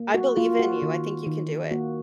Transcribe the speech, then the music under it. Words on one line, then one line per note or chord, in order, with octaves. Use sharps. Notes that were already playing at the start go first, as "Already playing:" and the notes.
I believe in you. I think you can do it.
Already playing: A#3
F#4
A#3 F4
F#4
D#3
D#3
A#3 F#4